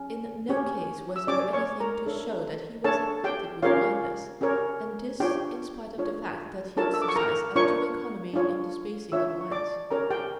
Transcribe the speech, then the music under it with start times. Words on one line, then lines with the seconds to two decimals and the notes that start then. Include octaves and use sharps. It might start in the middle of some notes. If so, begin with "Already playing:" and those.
In no case was there anything to show that he was afflicted with blindness and this in spite of the fact that he exercised undue economy in the spacing of lines.
Already playing: C#4
0.49 C#4 G4 C#5
1.16 E6
1.27 C#4 G4 C#5 D5 D6
1.53 C#5 C#6
1.80 A#4 A#5
2.06 D4 A4 C#5
2.84 D4 A4 C#5 A5
3.24 G4 G5
3.62 C#4 F4 G4 A#4 C#5 F5
4.41 C#4 G4 A#4 C#5
5.20 D4 F4 G4 C#5 G5
5.98 D4 F4 C#5
6.77 D4 F4 A4 A#4 C#5 A5
6.94 E6
7.02 D6
7.08 C#6
7.16 A#4 A#5
7.56 D4 F4 A#4 C#5 C#6
8.33 D4 F4 C#5
9.12 D4 F4 C#5 E5 E6
9.41 C#6
9.51 D5 D6
9.91 C#4 G4 A#4 C#5 A#5
10.10 G4 G5